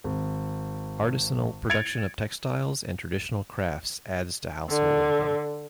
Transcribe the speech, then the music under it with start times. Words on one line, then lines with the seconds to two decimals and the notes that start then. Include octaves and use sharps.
Artisanal production of textiles and traditional crafts adds to household income.
0.04 G#1
1.70 G#6 A6 C#7 D7 F7
4.70 D3